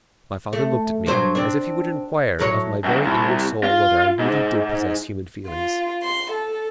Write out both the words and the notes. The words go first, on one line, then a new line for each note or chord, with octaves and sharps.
My father looked at me, as if he would inquire of my very inward soul whether I really did possess human feelings?
A3
G2 F#3 C5
C4 D4
A2 F#3 C#5
F#2 D3
C2
F4
G#2
F4
C6
A4